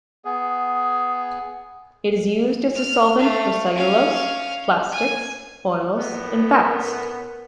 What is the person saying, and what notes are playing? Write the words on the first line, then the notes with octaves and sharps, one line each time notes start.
It is used as a solvent for cellulose, plastics, oil and fats.
B3 G#4
F6
A3 F5
C#4 F5
G#5
A2 B3 A#4